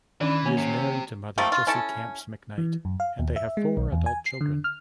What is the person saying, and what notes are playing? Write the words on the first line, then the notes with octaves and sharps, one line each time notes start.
He is married to Mother Jessie Camps McKnight, and they have four adult children.
D#3 E3 C#4 D4 B5
A#3 C#4
C3
F3 G3 A3 A#3
F4
C#4 E4 A4 A5
E3
F#2
F5
D#2
E5
G#3
B1
E2
G#5
C7
D3
F6